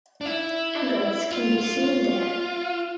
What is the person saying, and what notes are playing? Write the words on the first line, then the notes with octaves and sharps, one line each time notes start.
Egrets can be seen there.
D4
E4
F4
F4
F4